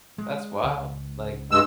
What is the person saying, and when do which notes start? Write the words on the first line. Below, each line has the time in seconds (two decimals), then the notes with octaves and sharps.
That's wild, like,
0.18 G#3
0.63 C#2
1.51 G2 G#3 E6